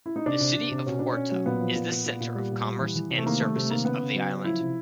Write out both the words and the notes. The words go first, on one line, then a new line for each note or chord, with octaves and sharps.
The city of Horta is the centre of commerce and services of the island.
E4
D#4
C3 D4
C3
C3
C3
B2 C#4
B2 D4
B2 C#4
F#3
A#2 B3
F3
A#2
A#2
A#2
A#2
G3
A#2
G3
E3
E3
C3
A3
D#3 A#3
G3 A3
C3 A3
D#3 A#3
C#3 B3
C#3
F#3
C#3
F3 E4
C3